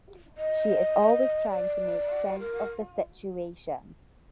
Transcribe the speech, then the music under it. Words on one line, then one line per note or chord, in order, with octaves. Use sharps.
She is always trying to make sense of the situation.
D#5
D5
A#4